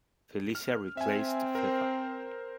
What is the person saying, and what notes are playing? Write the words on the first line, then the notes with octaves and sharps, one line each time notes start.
Felicia replaced Fefa.
F6
C4 E5 G#5
A#4 C5